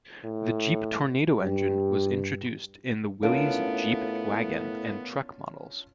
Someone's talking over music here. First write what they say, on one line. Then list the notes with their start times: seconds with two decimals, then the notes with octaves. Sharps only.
The Jeep Tornado engine was introduced in the Willys Jeep Wagon and truck models.
0.25 A2
1.39 G2 G4
3.23 A2 B3 C#4 D4 F4 A#4 F5 D7